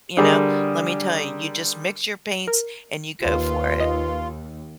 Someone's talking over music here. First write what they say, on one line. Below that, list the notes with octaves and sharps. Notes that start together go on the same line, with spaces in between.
you know? "Let me tell you. You just mix your paints and you go for it."
D3 G3 G#4 A#4
A#4
D#2 F4 B4
D#5